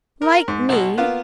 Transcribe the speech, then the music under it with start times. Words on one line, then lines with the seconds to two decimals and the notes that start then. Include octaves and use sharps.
Like me!
0.22 A#4
0.48 G#2
0.69 B1 B2
0.97 A#3 B3 F4 F5